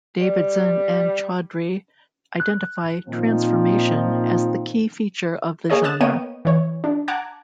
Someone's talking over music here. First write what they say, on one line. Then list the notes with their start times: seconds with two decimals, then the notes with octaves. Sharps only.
Davidson and Chaudri identify "transformation" as the key feature of the genre.
0.16 G3
2.40 F#6
3.06 A#2 D#3 F3 C4 D#4
5.70 A#3 G#4 C#5 D#5
5.84 D#6 F#6 A6 E7
6.01 A#3 B3 C#5 D#5 G5 D#7
6.45 E3 C#5
6.84 D4
7.08 F#5 A5 A#5 D6 F#6 G#6